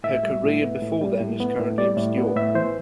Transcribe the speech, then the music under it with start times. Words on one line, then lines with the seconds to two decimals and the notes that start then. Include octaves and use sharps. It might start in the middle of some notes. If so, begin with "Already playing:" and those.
Her career before then is currently obscure.
0.04 A2 E5
0.23 G3
0.43 A2
0.62 B3
0.82 A2
1.01 G3
1.21 A2
1.40 B3
1.59 A2
1.78 G3 D5
1.97 A2
2.17 B3
2.36 A2 E5
2.55 E3 C5